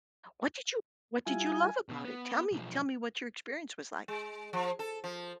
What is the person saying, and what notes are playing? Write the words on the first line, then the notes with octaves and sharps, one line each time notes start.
What did you what did you love about it? Tell me tell me what your experience was like.
G3 E4 F4 G#5
B2
B3
B1 F3
G#3
F3
A4
F3